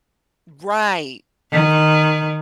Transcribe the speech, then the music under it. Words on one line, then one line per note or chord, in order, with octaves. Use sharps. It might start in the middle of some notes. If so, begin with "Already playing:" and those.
Right. Mhm.
D#3